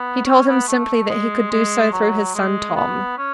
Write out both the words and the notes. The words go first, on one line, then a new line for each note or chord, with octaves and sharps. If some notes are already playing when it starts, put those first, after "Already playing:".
He told him simply that he could do so through his son Tom.
Already playing: B3
C#4
B3
A3
G#3
G#3
F#3
G#3
B3
C#4